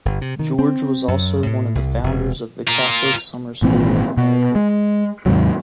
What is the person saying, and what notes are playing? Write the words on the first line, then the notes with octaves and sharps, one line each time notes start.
George was also one of the founders of the Catholic Summer School of America.
G1
C3
D#3
C4
F#2
A2
C2
E1
F4 A#4
G#1 A#2 E3 C4
B2
G#3
D#2 G#2 C3 F#3